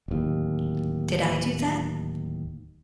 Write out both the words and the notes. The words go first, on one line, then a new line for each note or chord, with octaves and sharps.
Did I do that?
D1 D#2